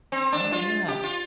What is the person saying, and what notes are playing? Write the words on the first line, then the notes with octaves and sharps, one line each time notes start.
Oh, yeah.
C4
D4
F4
G4
F4